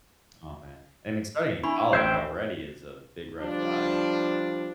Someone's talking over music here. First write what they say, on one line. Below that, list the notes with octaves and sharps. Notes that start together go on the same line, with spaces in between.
Oh, man. And, I mean, starting in college already is a big red flag.
D4 E4 B5 C#6
A1 C5 E5 G5 G#6
F3 G3 D4